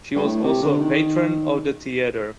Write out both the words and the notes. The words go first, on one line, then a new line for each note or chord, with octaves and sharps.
She was also a patron of the theatre.
G2
A2
C3
D3
D#3